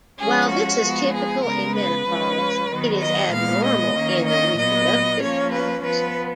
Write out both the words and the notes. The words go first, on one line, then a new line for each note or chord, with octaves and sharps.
While this is typical in menopause, it is abnormal in the reproductive years.
F3 G#3 C#4 G#4
F#4
F3 G#3 B3
G#4
C#3 G#3 B3 A#4
B4
F3 G#3 C#4
D#3 F#3 B3
D#5
A#2 G#3 B3 F5
D#5
D#3 A#3 C#4
D#5
A#2 F#3 B3 D#5
F3 A#3 C#4 C#5
B4
F3 B3 B4